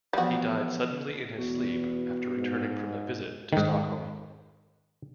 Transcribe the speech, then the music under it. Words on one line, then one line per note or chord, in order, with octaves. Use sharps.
He died suddenly in his sleep after returning from a visit to Stockholm.
E3 F3 G3 B3 F#4
E2 B2
G#2
G#2 D#3